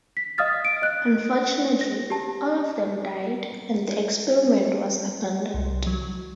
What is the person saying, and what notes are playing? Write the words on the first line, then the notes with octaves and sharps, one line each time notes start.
Unfortunately, all of them died, and the experiment was abandoned.
B6
D#5 F5 D#6 F6 A6
D7
D#5 F#6
A#6
G4 A5
C2
F#3